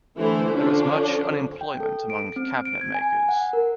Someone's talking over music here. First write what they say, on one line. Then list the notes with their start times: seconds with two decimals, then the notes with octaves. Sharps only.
There is much unemployment among cabinetmakers.
0.17 D3 E3 A3 E4 C5
0.50 D3 F3 C#4 D4
1.61 G5
1.80 A4
2.10 D7
2.36 C4
2.65 D7
2.81 G#6
2.94 G#5
3.29 F#5
3.53 A#4